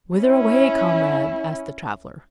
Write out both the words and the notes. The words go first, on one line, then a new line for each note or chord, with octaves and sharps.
"Whither away, comrade," asked the traveller.
C#4 E4